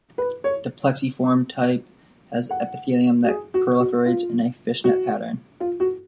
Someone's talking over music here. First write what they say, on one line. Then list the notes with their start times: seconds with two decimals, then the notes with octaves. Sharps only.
The plexiform type has epithelium that proliferates in a "Fish Net Pattern".
0.18 B4
0.44 C#5
2.51 F#5
3.24 F#4
3.28 G#4
3.54 F#4
3.80 F#4
4.06 F4
4.84 F#4
5.60 F4
5.80 F#4